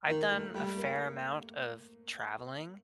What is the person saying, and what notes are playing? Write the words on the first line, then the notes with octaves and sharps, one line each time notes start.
I've done a fair amount of traveling,
D#3 A#3
A3
G3 A3
A#3